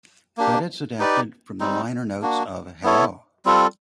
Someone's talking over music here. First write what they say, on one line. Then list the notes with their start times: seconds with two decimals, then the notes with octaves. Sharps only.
Credits adapted from the liner notes of "Hello".
0.37 A#3 D4 G4
0.99 D#4 G4 B4 D5
1.60 G3 C4 D#4
2.22 A#3 D4 F#4
2.83 B3 E4 A4 C#5
3.45 G3 C4 F4 A4